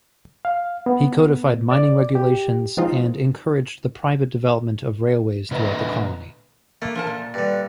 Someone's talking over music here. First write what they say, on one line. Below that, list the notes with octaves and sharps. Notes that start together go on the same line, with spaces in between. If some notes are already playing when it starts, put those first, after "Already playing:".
He codified mining regulations and encouraged the private development of railways throughout the colony.
F5
B3
D5
G4
F3 G#3 C4 D#4 F4
A#2 D3 B4 D#5 E5 A#5
A3 A#3
F3 A#4 A5
A#2
G2 D3